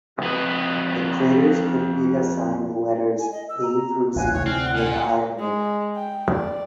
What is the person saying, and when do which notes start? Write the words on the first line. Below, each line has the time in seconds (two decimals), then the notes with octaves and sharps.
The craters could be assigned letters A through Z, with I omitted.
0.22 F2 B4 D#5
3.19 G#5
3.32 D#5
3.49 E6
3.63 A#5
4.16 A1 A#2 D4 F5 G#5 F#6
4.33 D2 C3 C#5
4.46 C4 G#5 F6
4.60 D5 F#5 F#6
4.75 A#2 F#5 G#5
5.39 G#3
5.96 G5
6.30 D5